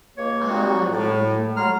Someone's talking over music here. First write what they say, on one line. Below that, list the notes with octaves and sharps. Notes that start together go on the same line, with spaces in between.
Ah, you you
C#2 A#3 C#5
G3 A#3 C4 D#4 F#4
A2
F#4 C#5 A#5 C6 F6